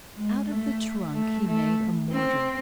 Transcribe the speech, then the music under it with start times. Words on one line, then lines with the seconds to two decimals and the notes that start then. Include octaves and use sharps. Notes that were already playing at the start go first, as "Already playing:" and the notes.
Out of the trunk he made a mortar.
0.15 G#3
0.48 A3
1.14 A3
1.46 A3
2.11 C4